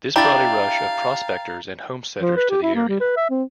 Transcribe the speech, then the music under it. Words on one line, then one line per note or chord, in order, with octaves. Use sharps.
This brought a rush of prospectors and homesteaders to the area.
D4 E4 G4 F5 G5 A#5 A6
F3
B4
G4
E4
A#3
G3
B4
E5
C4